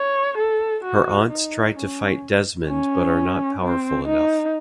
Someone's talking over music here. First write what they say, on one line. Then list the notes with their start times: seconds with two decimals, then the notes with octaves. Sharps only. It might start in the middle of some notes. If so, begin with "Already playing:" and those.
Her aunts try to fight Desmond but are not powerful enough.
Already playing: C#5
0.38 A4
0.84 F#4
1.30 D#4
1.77 C#4
2.68 C#4
3.61 C4
4.08 D#4